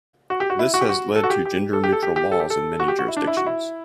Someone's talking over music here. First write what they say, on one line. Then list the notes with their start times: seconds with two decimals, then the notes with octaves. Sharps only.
This has led to gender-neutral laws in many jurisdictions.
0.30 F#4
0.40 G4
0.50 F#4
0.59 E4
0.74 F#4
0.81 G4
0.89 F#4
1.16 A4
1.23 F#4
1.30 G4
1.46 G4
1.73 A4
1.84 G4
1.92 A4
2.03 G4
2.16 G4
2.32 A4
2.40 G4
2.50 A4
2.80 F#4
2.88 G4
2.99 F#4
3.08 E4
3.17 D4
3.27 E4
3.37 F#4
3.46 E4